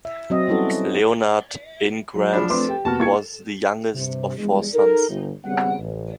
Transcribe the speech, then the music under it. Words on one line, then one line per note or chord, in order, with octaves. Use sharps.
Leonard Ingrams was the youngest of four sons.
E5
F#3 C4 D#5
G3 B3 C#4 E4 F#4 A4
F#3
F3 D4 G#4 B5
A3 C4 B4 C6 D6
G4 G5
F2 C3 A#3 B3 F#4 A5 F6
A#3 E4 F4 C#6 G#6 C#7
G2 C3
E2 G2 G#3
D#4 A4 A#4
G1
G#1 C#3 G3 B3 C4 F#5
A1